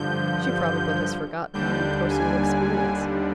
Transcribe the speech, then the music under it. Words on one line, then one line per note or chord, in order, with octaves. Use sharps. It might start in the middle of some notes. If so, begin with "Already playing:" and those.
She probably has forgotten her own personal experience.
Already playing: G2 D3 F3 G6
D#2 D3 G3 D4 G6
G#5